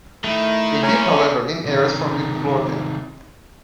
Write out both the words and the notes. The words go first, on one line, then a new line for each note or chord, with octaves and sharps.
It did however gain areas from Midlothian.
D#3 A3 E4
E2 C#4 A#5
C3 D#3